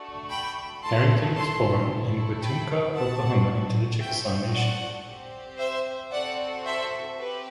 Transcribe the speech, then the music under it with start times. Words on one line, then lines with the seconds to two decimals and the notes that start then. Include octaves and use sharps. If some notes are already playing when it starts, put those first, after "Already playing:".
Herrington was born in Wetumka, Oklahoma into the Chickasaw Nation.
Already playing: A3 D4 F#4
0.29 G5 B5
0.82 A3 E4 A4 A5 C6
1.36 A5 C6
1.89 A3 E4 A4
2.42 G5 B5
2.95 C4 F#4 A4 F#5 A5
4.00 C4 F#4 A4 E5 G5
4.54 D5 F#5
5.06 C4 G4
5.59 C5 E5
6.12 C4 F#4 A4 D5 F#5
6.65 C5 E5
7.19 C4 G4 B4